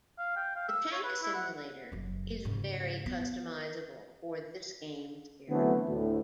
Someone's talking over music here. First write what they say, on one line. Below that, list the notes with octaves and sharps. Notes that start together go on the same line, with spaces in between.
The tank simulator is very customizable for this game's era.
F5
G5
F5
E6
C#5
B4
E4
F#5
F#1 F#2
G#2 C#3
B3
D3 E3 F#3 A3 B3 C4
D2 A2